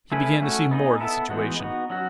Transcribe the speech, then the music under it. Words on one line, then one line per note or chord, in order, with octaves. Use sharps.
He began to see more of the situation.
A3 C#4 E4 G#4 B4
A3 C#4 F#4
B3 D#4 G#4 D#5
B3 E4 A4 E5
E3 G#3 B3 D#4 F#4
B3 D#4 F#4
F#3 C#4 F#4